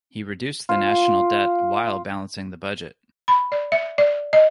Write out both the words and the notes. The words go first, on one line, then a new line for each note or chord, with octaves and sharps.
He reduced the national debt while balancing the budget.
F4
B5
D5
E5
D5
D#5